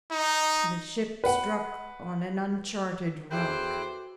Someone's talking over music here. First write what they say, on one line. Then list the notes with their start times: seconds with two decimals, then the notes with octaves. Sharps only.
The ship struck on an uncharted rock.
0.12 D#4
1.24 B4 F#5
3.31 E2 E4 F#4 A4 C5 G5 D6 F#6